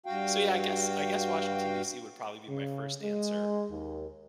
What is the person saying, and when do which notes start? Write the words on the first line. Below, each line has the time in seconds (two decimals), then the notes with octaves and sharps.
So, yeah, I guess I guess Washington DC would probably be my first answer,
0.06 G2 F#4 F5 G5
2.48 C#3
3.03 G#3
3.70 D#2